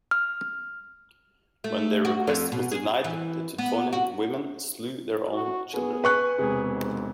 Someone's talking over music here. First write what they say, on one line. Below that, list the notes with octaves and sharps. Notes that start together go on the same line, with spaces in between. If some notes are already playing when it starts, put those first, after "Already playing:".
When their request was denied, the Teutonic women slew their own children.
F6
A3
F#4
F2
B2
G#4
E3
B3
F#4
F#4
B3 G#4
B4 G#5 C#6 F#6
E1 C3 G#4
G#2